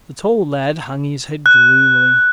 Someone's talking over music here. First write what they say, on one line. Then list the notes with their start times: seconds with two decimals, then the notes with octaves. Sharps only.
The tall lad hung his head gloomily.
1.46 F#6